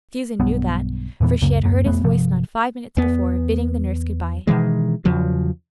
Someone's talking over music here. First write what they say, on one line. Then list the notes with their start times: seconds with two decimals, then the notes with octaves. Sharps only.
Susan knew that, for she had heard his voice not five minutes before, bidding the nurse good-bye.
0.40 B1 G2 B3
1.21 E2 A#2 E3 B3
1.41 C#2 F#2 C#3 A#3
1.63 D1 F#2 A#3
1.85 E1 F2 A3 B3
2.04 G1 C3 F3
2.97 E2 B3
4.47 B2 D#3 E3 G#3
5.05 E2 C#3 F3 F#3